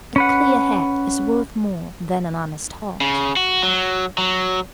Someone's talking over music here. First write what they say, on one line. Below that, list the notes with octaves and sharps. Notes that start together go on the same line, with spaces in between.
A clear head is worth more than an honest heart.
C#4 B4 F#5
C#3
F#4
F#3
F#3